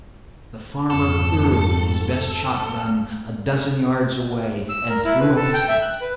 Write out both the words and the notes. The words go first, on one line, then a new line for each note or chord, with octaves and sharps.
The farmer hurled his best shotgun a dozen yards away and threw up his hat.
F2 G#2 A4
E6
A#4
E4
B4
A4
G5
E5
F#6
B4